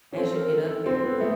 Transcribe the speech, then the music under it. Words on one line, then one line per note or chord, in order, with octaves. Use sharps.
as you get up there, but,
C#4
C4 A4
A#4
A4
C4
B3
A3 G#4